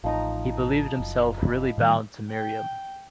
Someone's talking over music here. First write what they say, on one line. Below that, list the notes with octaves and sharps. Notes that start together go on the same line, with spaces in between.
He believed himself really bound to Miriam.
A1 F3 D#4 A#5
F#1
B5
A2 D#3 G3
G5